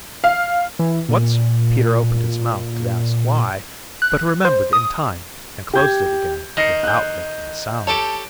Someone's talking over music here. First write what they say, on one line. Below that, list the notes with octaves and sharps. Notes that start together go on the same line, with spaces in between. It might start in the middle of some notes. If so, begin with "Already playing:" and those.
Once Peter opened his mouth to ask why, but remembered in time and closed it again without making a sound.
F5
E3
A#2
F#6
C5
D#6
G4 G6 G#6
D#3 A#6 C7 C#7
F#6 G6
G4 A4 C#5 A5 D7